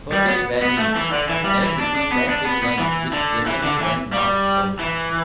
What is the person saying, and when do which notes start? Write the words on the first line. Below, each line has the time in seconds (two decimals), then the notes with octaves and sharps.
Fertile valleys lie between the hill lines, which generally run north-south.
0.12 G3
0.28 B3
0.62 B3
0.78 A3
0.96 E3
1.12 D3
1.29 E3
1.45 G3
1.63 E3
1.80 D4
1.95 D4
2.12 B3
2.29 D4
2.45 B3
2.63 B3
2.79 E3
3.13 D3
3.47 E3
3.63 D3
3.80 E3
4.13 G3
4.80 E3